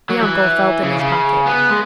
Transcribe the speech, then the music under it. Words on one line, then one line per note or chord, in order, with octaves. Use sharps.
The uncle felt in his pocket.
F#3
E3
C#3
C#3
B3
G#3